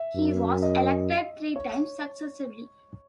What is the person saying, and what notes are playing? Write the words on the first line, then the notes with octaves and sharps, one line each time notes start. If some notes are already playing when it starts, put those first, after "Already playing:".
He was elected three times successively.
Already playing: E5
F#2
D#5
C#5